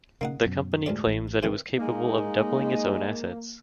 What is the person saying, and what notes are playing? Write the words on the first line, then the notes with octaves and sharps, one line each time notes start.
The company claims that it was capable of doubling its own assets.
C#3 A#3 D#4 F#5
F#2 B2
D2 G#2 D5
A1
C3 D#3 E3
G#3 A#3 D#4